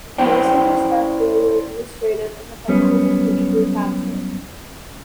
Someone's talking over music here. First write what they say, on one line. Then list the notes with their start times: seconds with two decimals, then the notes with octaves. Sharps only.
Most of the staff there were administrative and the headquarters were easily captured.
0.18 C#4 E4 B4 C5 D5 G5
2.68 F#2 G3 B3 C#4